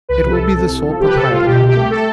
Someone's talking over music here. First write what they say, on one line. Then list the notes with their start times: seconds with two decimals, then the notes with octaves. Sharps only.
It will be the sole proprietor.
0.09 C2 B4
0.23 C3
0.32 A4
0.39 C2
0.55 C3
0.69 C2
0.84 F3
0.99 C2 G4
1.07 B4
1.14 C3 A4
1.30 C2 F4
1.45 B2 G4
1.61 C2
1.68 G4
1.75 A3
1.90 A4